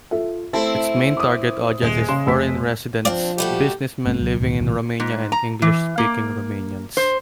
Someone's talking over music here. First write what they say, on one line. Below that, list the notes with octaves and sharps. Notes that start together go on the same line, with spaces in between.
Its main target audience is foreign residents, businessmen living in Romania and English-speaking Romanians.
F4 A4 E5
A3 C4 E4 A5
D6 D#6
D#1 G#3
C#3 C6 E7
F1 E6 B6
F3 C4 D4 D5 F5
G3 A3 F#4 G4
G#1 G2 A3 C4
C#2 F#3
C#2 A2 D#3
B1 A2 C3 E3
G#2
A#5
E3
A#3
C5